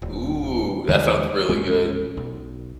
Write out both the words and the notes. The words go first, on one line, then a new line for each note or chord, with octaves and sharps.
Ooh, that sounds really good.
D#1
D#2 D3 E3 G#3
D#1 A1 G#3 C#4
B1